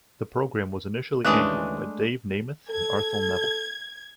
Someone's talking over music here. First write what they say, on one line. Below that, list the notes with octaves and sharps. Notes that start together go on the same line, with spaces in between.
The program was initially anchored by Dave Nemeth and Arthel Neville.
D#2 C#3 E3 G#3 A3 D4 D#6 F#6
A4 G#6